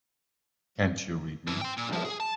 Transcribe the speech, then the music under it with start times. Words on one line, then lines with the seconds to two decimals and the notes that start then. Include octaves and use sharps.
Can't you read me?
1.47 B2 E3
1.61 G5 C6
1.77 A#2
1.92 F3
2.05 G#4
2.20 A5